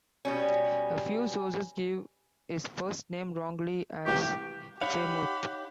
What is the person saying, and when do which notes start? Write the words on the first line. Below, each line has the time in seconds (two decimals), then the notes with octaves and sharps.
A few sources give his first name wrongly as "Freimuth".
0.25 B2 G3 C#4
4.06 C2 E3 G4 C#6
4.81 D#4 G4 C#5 F5 F#5 B5